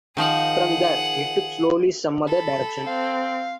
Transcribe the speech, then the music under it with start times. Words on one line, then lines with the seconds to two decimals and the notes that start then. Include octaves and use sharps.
From there we took slowly some other direction.
0.17 D#3 F3 D#4 G#4 F#5
2.28 A4 B5
2.86 C4 F5